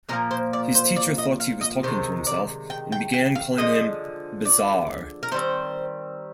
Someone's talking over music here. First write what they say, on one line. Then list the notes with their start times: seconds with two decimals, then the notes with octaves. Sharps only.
His teacher thought he was talking to himself, and began calling him 'Bizarre'.
0.09 A#2 F3 A#3 A#4
0.31 C5
0.53 D5
0.75 C5
0.96 D5
1.18 D#5
1.40 F5
1.61 D#5
1.83 C3 D#3 G#3 C5
2.27 D5
2.70 G5
2.92 G5
3.14 G5
3.35 F5
3.57 D3 F3 G#3 D#5
4.45 D5
5.23 A#4
5.31 D#3 G3 C4 C5